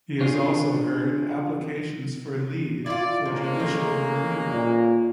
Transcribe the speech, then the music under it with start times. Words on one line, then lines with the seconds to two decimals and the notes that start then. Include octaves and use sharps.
He has also heard applications for leave for judicial review.
0.21 C4 D4 F4 G#4 C#5
2.86 E4 F4 D5
3.26 F3 G#3 A#3 C#4
3.59 D#3 A3
4.52 A#2